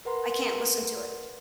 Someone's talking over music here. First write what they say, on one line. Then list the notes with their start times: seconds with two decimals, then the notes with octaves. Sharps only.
I can't listen to it.
0.05 A#4 B4 F#5 A#5 C6